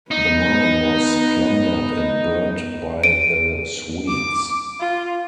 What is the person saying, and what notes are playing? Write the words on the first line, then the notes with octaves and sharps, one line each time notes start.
The mine was plundered and burned by the Swedes.
B3 D#4
D7 D#7
D6
F4